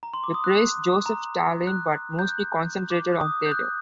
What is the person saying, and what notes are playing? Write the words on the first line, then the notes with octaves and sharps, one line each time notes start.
He praised Joseph Stalin, but mostly concentrated on theater.
A#5
C6
D6
D#6
F#6
A#5
F#6
G6
F#6
D6
F#6
D#6
G6
F#6